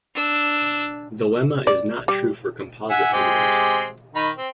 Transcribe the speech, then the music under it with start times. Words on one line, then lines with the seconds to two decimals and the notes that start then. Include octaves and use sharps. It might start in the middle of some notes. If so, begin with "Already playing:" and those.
The lemma is not true for composite numbers.
0.15 D4 E6
1.67 D5
2.08 G3
2.90 E5 F#5 G#5
3.13 G#3 C4 G4
4.15 D#3 D#4 B5
4.38 C4